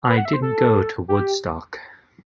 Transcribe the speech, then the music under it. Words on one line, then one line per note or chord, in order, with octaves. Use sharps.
I didn't go to Woodstock.
B4
F#5
E5
C5
A4
G4